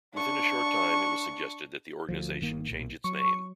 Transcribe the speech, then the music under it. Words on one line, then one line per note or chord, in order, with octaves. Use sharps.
Within a short time it was suggested that the organization change its name.
D4 C#6
D2 F3
G1 D#3 A#3
B1 A#2
F#3 C#6